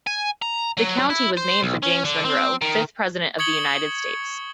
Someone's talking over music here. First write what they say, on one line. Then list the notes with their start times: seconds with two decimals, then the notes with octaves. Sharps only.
The county was named for James Monroe, fifth President of the United States.
0.07 G#5
0.42 A#5
0.77 F#3
1.10 E4
1.37 C5
1.63 B1
1.83 C#4
2.05 D3
2.25 C4
2.61 D#3
3.39 C#6 D#6 G#6 C#7 F#7 G7